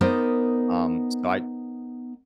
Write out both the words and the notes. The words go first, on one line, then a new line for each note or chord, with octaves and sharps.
um, so I
B3 D#4 A#4 C5 D5